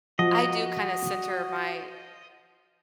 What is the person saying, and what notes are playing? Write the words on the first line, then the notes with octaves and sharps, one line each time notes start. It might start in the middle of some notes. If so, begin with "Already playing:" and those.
I do kinda center my
F3 F#4 D#5